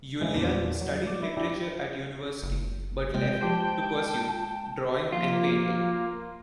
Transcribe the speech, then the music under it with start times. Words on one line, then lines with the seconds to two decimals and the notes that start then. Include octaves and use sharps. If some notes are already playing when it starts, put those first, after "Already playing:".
Jullian studied literature at university but left to pursue drawing and painting.
0.21 C#3 E3 G#3
0.34 E2 A#2 D4
0.81 F#3
1.07 D5
1.22 E4
1.37 D4 E4 G4
2.43 F#1
3.14 C3 G#3 G5
3.41 F3 G4 C5 A5
5.12 F3 A#3 F4